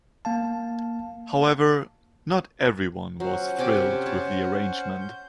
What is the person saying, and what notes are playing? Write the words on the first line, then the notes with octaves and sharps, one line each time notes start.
However, not everyone was thrilled with the arrangement.
A#3 F5 A5
F#3 C#4 C5 F#5
C3 G#5 D6
C#5 A5
G6